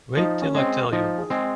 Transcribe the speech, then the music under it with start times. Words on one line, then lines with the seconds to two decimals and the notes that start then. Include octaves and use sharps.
Wait till I tell you.
0.17 F3 D#4
0.42 C#4
0.55 G#3 C4
0.92 F3 D#4
1.18 G#4
1.30 G#3 C4